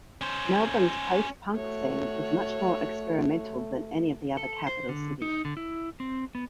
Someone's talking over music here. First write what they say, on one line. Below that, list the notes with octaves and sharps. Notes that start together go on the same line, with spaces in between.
Melbourne's post-punk scene was much more experimental than any of the other capital cities.
C#4 C5
A3 F#4 C#5
A4
C5
D3
D#4
D3
E4
C4
B3